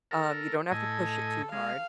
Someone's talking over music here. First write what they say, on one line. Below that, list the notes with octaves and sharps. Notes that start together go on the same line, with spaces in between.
Um, you don't have to push it too hard.
A4 A#4
A2 A4 D#5 G#5
G#3 F5